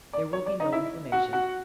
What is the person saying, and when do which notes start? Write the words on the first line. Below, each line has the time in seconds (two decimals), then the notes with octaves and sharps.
There will be no inflammation.
0.13 D5
0.33 C#5
0.46 D5
0.60 D#4 D#5
0.72 E4 E5
1.12 F#4 F#5
1.33 F#4 F#5